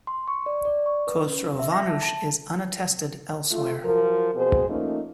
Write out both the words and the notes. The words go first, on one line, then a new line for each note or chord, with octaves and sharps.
Khosrovanush is unattested elsewhere.
C6
C#6
D5
D5
C#6
B4
C#4
E5
A#6
A5
A5
A3 F4
F3 F#3 A#4
B2 C4 G#4 C5
F3 A3 A#3 C#4 D#4